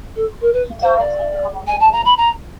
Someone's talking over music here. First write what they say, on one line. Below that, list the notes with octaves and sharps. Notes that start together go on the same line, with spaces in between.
He died in Honolulu.
A4
A#4
B4
C5
D5
G#5
A5
A#5
B5
A#5